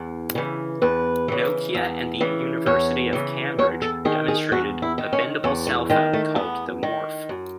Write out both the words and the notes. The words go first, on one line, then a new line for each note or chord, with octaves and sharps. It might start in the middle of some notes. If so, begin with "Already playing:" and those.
Nokia and the University of Cambridge demonstrated a bendable cell phone called the Morph.
Already playing: E2
C#3 E3
E2 B4
C#3 E3
E2
C#3 E3
E2 C#5
C#3 E3
E2 C#5
A4
D#3 G#4
G#4
E2 F#4
E4
D#3
C#4
E2 C#4
A3
D#3 G#3
A3
E2 B3
D#3
F#2